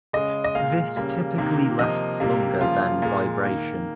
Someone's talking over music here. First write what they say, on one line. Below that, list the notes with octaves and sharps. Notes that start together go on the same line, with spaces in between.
This typically lasts longer than vibration.
C#3 G#3 D#5
D#5
A#2 G#3 F5
C#3 G3 A#3
C3 D#3 A#3
C3 F3 A#3 D#5
C3 G3 A#3
C#3 F3 A#3 F4
A#2 G#3
D#3 A#3